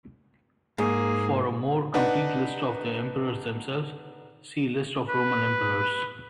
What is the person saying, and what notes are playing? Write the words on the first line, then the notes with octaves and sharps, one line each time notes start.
For a more complete list of the Emperors themselves, see List of Roman Emperors.
G#2 A#3 G#4
D4 D#4 B4 F#5
B4